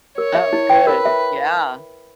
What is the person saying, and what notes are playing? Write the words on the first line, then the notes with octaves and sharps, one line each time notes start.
Oh, good. Yeah.
A#4 C#5
E5
E4
G5
A#4 B4
E5